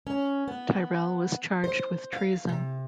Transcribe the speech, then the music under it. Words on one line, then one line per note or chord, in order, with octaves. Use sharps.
Tyrrell was charged with treason.
C#4
B3
C5
F5
C3